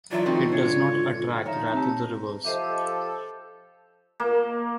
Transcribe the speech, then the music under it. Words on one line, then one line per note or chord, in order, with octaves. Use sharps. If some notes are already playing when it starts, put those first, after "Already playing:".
It does not attract, rather the reverse.
E3 F#3 D4 F4 C#5 D5 E5
A3 C4 D#4 F#4
G#2 D3 D4 C#5
F3 D#4 C#5 E5
C4 G4 A5
F3 G4 A4 C5 D#5 E5
A#3